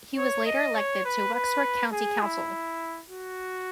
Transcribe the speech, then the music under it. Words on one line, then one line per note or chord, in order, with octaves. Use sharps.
He was later elected to Wexford County Council.
C#5
D#5
C#5
B4
B4
G#4
E4
F#4